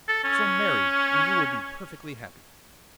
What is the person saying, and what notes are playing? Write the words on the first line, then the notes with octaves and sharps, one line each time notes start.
So marry, and you will be perfectly happy.'
A4
C#4